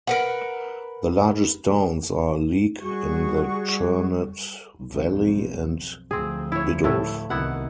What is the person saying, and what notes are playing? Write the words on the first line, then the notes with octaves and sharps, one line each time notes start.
The largest towns are Leek in the Churnet valley and Biddulph.
A#4 B4 F#5
G3 F#4 G#4 C#6
B1 F2
D2 F3 C4 G#4
E4 C#5
A2 A3 E4
C2 D#3 B3 E4 F#5